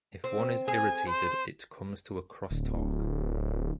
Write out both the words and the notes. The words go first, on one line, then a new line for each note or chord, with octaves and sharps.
If one is irritated, it comes to a crosstalk.
C4
G#4 G#5
C5
D1